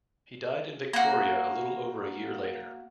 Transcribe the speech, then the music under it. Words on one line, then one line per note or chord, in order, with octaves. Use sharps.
He died in Victoria a little over a year later.
A#3 F#4